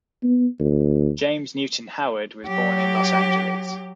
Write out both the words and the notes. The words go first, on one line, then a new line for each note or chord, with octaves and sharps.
James Newton Howard was born in Los Angeles.
B3
D2
F#3 G4